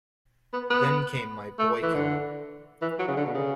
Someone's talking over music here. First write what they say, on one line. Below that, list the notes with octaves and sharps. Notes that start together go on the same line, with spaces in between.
Then came my boy code.
B3
B3
A3
E3
D3
E3
F#3
C#3
D3
B2
C#3